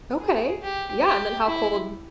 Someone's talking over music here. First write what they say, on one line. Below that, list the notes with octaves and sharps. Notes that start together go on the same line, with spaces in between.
Okay. Yeah. And then how cold
G#4
G4
G4
E4